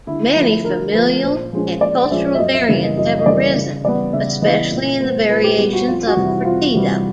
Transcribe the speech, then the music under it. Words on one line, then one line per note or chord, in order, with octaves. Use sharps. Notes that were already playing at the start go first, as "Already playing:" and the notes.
Many familial and cultural variants have arisen, especially in the variations of "curtido".
D3 E4
F3 E4
A3
D3 A#4
F3 A3 B4
A#2 C5
F3 G#3 C#4
A#2 D5
F3 G#3 C#4 E5
E5
F#2 D#5
E5
C#3 E3 G3 A#3 E5
D#5
F#2 D#5
D#5
C#3 E3 G3 A#3 D5
C#3
E3 G3 B3 D5
C#3 E5
E3 G3 B3 D#5
A#2
G3 B3 C5
A#2 B4
G4
G3 B3 G4
F#4
F2 F4
F#4
C3 E3 G3
E4
F2 F4
C3 E3 G3 F#4